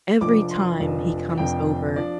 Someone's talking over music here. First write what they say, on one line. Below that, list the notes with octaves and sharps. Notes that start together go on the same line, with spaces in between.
every time he comes over
F1 F2 F3 D4 D6
C6
F1 F2 F3 D4
F1 F2 F3 D4 G5
F3 D4 D5